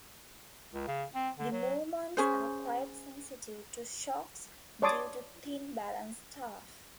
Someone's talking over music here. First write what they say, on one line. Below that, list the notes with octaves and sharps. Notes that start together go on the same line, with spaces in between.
The movements are quite sensitive to shocks due to thin balance staff.
C#2
C#3
C4
D3
F#3
C#4 G#4 C5
C#5 D5 A5 C6 D6 D#6